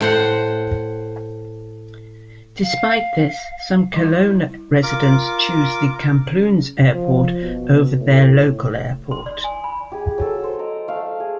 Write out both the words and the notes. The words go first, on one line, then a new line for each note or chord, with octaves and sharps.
Despite this, some Kelowna residents choose the Kamloops Airport over their local airport.
A2 C5 F#5
F5
G3 E4
F4 A#4 D6
C#3
F3
B2
A2
C6
D5
G#5
B5
G4 G#4
F#3 A4
C5
D#5 A#5 D6
A3 F5
G#4